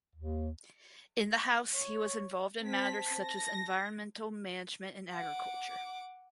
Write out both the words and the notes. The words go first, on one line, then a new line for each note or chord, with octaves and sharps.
In the House he was involved in matters such as environmental management and agriculture.
D#2
C#5
C4 A5 B6
A#6
F#5 D6